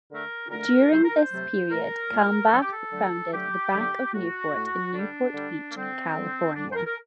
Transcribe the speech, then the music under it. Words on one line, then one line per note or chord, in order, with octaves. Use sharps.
During this period Kalmbach founded the Bank of Newport, in Newport Beach, California.
D3 A3 A#4
D3 A3 A#4
C3 F#3 A3 C5
A#4
C5
C3 F#3 A3
A#2 A3 A#4
A#2 A3
D3 F#3 A3 A4
G4
A4
D3 F#3 A3
D3 F#3 A3 G4
D3 F#3 A3
A2 A3 F#4
A2 A3
D3 G3 D4
D3 G3
A#3
D3 G3 C4
D3 G3
D3 G3 D4
C5
A#4
A#4